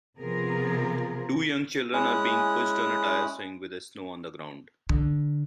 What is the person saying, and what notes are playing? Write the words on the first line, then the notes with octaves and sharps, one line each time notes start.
Two young children are being pushed on a tire swing with snow on the ground.
C3 F3 B3 F4 G#4 A#4
G#3 C#4 E4 D#6 F#6
D3